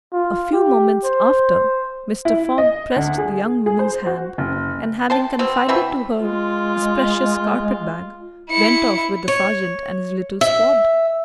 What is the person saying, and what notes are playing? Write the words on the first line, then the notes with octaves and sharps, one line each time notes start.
A few moments after, Mr. Fogg pressed the young woman's hand, and, having confided to her his precious carpet-bag, went off with the sergeant and his little squad.
F4
G4
C5
E4
D#5
D2
G#4
G#4
C5
F#4
F#1
C5 G5 A5
B2 C4
B2 E3 C4 E5
G#3 F4
E4 C#7
C#5
E5